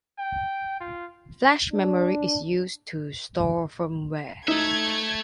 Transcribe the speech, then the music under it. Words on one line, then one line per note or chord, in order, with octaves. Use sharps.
Flash memory is used to store firmware.
G5
F4
D4
A3 D#4 E5 G#6